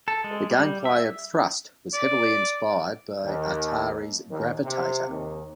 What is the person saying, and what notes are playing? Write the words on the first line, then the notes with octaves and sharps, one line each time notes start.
The gameplay of "Thrust" was heavily inspired by Atari's "Gravitar".
A4
G#3
G3
E5
D5
D#2
D#2
C3
D#2